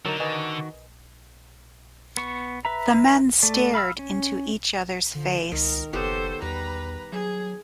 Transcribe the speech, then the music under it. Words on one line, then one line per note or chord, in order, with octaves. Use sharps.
The men stared into each other's face.
D3 F#3 D#4 A#4
D#3 F#4 B4 D#5 G#5
B3 C#6
B4 E5 A#5
A3 D5
F5 B5 C6 E6 F6
C#4
D3 F3
C#2 D#3 A#4
F#1 B3 G4 A4 C5 C#5
E2 G3 B4 A#5
F#3 G#4